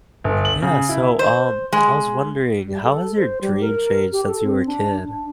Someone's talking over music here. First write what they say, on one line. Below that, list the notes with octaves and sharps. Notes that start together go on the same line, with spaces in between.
Yeah, so, um, I was wondering, how has your dream changed since you were a kid?
G1
F#7
C#3
E4
C5
G#3
G3
A4
C5
G3
A#4
G4
A4
C4
D4
D4